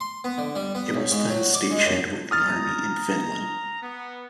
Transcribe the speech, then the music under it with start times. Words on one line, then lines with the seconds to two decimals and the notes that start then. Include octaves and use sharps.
It was then stationed with the army in Finland.
0.01 C6
0.24 B3
0.38 D3
0.55 G3
0.75 B3
0.94 B1
1.11 G#2
1.29 F#3
1.54 D5
1.70 G#3
1.86 F#2
2.31 A#5 D#6 F6 A6
3.82 B3